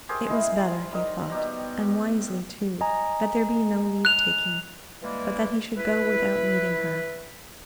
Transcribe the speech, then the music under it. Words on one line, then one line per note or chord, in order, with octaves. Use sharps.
It was better, he thought, and wisely too, that there be no leave-taking, but that he should go without meeting her.
G4 G#4 A#4 C5
G#3 E4
G3 D#4 A#4 D#5
B2 G4 A#5
D#5 G#5 A#5
F#6 F7
E3 G3 G#3 A#3
E4 B4